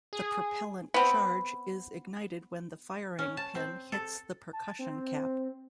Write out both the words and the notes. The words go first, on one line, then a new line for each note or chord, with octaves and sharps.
The propellant charge is ignited when the firing pin hits the percussion cap.
G#4
B3 C4
C#4
A5
C4
A4
A5
C4